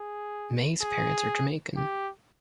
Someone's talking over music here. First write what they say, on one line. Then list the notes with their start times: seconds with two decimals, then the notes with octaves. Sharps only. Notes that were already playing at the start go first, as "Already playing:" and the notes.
May's parents are Jamaican.
Already playing: G#4
0.81 G#4
1.76 G4